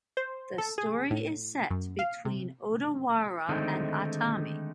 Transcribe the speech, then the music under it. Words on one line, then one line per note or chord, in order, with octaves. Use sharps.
The story is set between Odawara and Atami.
C5
A4
G#4
A2
F#2
F5
C3
D3 D#3 G#3 A3 C4 D#4